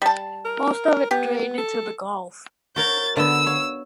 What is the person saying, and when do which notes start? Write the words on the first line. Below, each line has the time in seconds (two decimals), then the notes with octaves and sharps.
Most of it drained into the Gulf.
0.02 G3 A5
0.45 A#4
1.11 B3 G4
1.58 A4
2.76 F#4 A#4 C#5 G6 A6
3.16 D3 B3 E6
3.46 C#5 F5